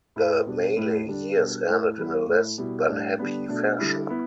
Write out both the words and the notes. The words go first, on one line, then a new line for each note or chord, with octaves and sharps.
The Maley years ended in a less than happy fashion.
A2 A3 E4
B2 G3 D4
A2 A3 E4
D3 G3 D4
B2 G3 D4
A2 A3 E4
E3 G3 B3 E4
A2 A3 E4
B2 G3 E4
A2 G3 D4
D3 G3 B3 D4
B2 A3 D4
D3 G3 E4
B3 E4